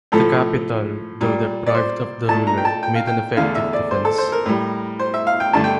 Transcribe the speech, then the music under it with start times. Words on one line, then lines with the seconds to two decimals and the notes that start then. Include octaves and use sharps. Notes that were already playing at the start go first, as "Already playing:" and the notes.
The capital, though deprived of the ruler, made an effective defense.
0.12 A2 F3 A3 A4
1.21 A#2 G3
1.67 D5
1.75 C5
2.28 A#2 A3 A5
2.47 A#5
2.57 G5
2.65 A5
2.83 G5
2.95 F5
3.07 G5
3.37 E2 D3 A3 F5
3.55 E5
3.73 D5
3.91 C5
4.05 A4
4.18 C5
4.32 A#4
4.46 A2 G3
4.99 C5
5.14 E5
5.27 F5
5.40 G5
5.53 G2 D3 A3 A5
5.64 G5